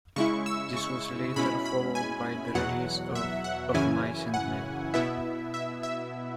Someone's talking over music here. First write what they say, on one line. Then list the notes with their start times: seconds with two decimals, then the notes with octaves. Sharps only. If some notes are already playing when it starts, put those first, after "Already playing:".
This was later followed by the release of "Of Mice and Men".
0.16 C#3 G#3 E4 C#6
0.46 E6
0.77 C#6
1.36 B2 G#3 C#4 E4 B5
1.66 B5
1.95 G#5
2.55 E2 B2 F#3 F#5
3.15 E5
3.44 F#5
3.74 F#2 C#3 E3 C#4 E4 G#5
4.34 F#5
4.94 B2 B3 E4 E5
5.54 E5
5.83 E5